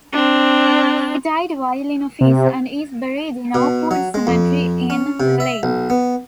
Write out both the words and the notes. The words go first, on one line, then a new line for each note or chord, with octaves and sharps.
He died while in office and is buried in Oakwood Cemetery in Raleigh.
C4 D4
C3
B2
F#3
G#3
F2
C#4
C3
E5
B1
B3